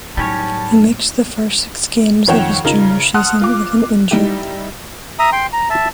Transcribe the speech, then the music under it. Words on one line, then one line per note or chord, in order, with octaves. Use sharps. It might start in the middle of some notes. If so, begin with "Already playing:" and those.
He missed the first six games of his junior season with an injury.
A2 F#3 G3 C#4 D#4 C#5 A5 F6
F2 D#3 C#5 F#5 G5 E7
C#3 D#4 F4 A#4
F#5 A5 C6 D#6 F6 F#6
F4 D6
G3 D#4 E4 G4
E5 A#5 D#6
G5 C6
A#5
E5 A5